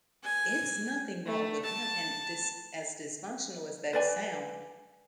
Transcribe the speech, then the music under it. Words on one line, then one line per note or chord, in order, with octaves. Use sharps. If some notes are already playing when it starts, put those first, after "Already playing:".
it's nothing wrong with him and dys as dysfunctional as that sound,
G#5
A3
A5
B4 D5 G#5